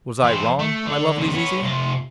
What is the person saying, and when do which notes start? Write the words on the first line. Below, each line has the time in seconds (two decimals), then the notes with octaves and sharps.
Was I wrong, my lovely Zizi?'
0.24 E3 C4
0.59 A3
0.86 D3
1.17 F2 C#3
1.33 B3 C#5
1.63 C3 F4